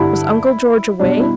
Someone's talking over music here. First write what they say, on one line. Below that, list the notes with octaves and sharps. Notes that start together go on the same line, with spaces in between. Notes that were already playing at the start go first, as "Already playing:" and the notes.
Was Uncle George away?
Already playing: G2 D3 G3 E4
B2 G3 D4
E4